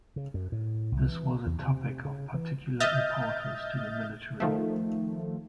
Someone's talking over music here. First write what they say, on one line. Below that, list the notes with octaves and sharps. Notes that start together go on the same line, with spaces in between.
This was a topic of particular importance to the military.
C#3
F#2
A2
C2
E3
E2
C3
C#3
E3
D#5 E5 F6 G6 A6
D#3 F3 A3